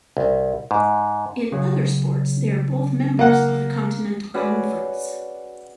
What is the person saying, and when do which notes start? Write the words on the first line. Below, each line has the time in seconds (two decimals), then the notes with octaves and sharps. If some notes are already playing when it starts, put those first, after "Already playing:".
In other sports they are both members of the Centennial Conference.
0.17 C2
0.71 G#2
1.52 C#3 F#3
3.19 A#3 F#5
4.34 C#4 F#4 G#4 B4 D5